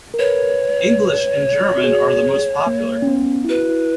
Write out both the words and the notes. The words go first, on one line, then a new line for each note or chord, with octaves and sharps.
English and German are the most popular.
A#4
B4 C#5
F#4
G#4
A#3
C#4
B3
E4
F#4 B4
E4